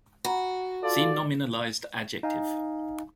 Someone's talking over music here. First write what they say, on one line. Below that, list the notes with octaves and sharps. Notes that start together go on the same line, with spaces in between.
See nominalized adjective.
F#4 F#5 A#5 B5
F4 A4 D5
D#4 F5 G#5